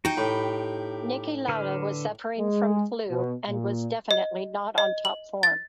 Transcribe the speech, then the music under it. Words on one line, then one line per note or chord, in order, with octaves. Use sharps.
Niki Lauda was suffering from flu and was definitely not on top form.
D#4 F#4 G5
A2 G4 B5
D3 B4 F6
G#3
B2
A#2
D#5
D#5
F#7
A6